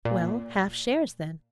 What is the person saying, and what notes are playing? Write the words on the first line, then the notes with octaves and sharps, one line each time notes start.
"Well, half shares then."
A#2